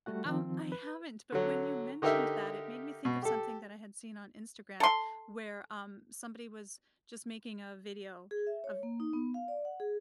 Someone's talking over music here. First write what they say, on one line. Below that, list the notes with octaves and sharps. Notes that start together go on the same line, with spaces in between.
Um, I haven't, but when you mentioned that, it made me think of something that I had seen on Instagram where, um, somebody was just making a video of,
G3 A3 F#4 F#5
D#3 F3 C4
B4
D3 F#3
D3 D#4 G4 A#4 E5
B2
G4 A4
A4 C6
G#4
E5
C#5
A#3
D#4
B3
F5
D5
F#5
G#4